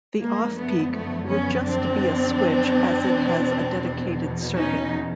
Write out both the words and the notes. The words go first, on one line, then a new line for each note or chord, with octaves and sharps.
The off-peak will just be a switch as it has a dedicated circuit.
F#2 D3 F3 G#3 A#3
A3 B3
A3 B3
B3 C#4
C4 D4
E2 B2
C#4 D#4